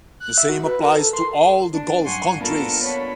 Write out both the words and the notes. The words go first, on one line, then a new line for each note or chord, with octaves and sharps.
The same applies to all the Gulf countries.
F#6
E5
F#4
B4
A#4
A4
C6
D4
G2 F#3 F#5 G#5 C6 C#6
A#3 B3 D4 F4 A4 A#4
B3 D4 C#5 B5